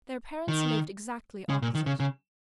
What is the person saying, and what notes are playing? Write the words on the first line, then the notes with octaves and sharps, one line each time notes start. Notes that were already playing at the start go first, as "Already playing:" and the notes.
Their parents lived exactly opposite.
D#3
C#3
A#2
D#3
C#3
C#3